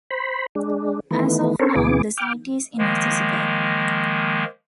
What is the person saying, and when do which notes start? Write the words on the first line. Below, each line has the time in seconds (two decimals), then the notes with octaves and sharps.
As of now, the site is inaccessible.
0.11 C5 B5
0.55 G#3 D4
1.11 D#3 E3 A3 B3
1.59 C4 A4 A#4 C5 C#5
1.75 D2 B2 E3 B3 G#4 D6
2.18 G5 D6 F6
2.78 D#3 F3 G#3 A#3